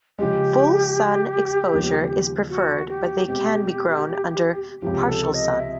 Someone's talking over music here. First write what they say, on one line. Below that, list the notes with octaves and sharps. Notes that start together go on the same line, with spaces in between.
Full sun exposure is preferred but they can be grown under partial sun.
C#3 F3 G#3 G4
D#2 C#3 F3 G#3 B3
F#4
G4
B2 G#3 C4 G4
C#2 C3 F3 G4
A4
D#5
E5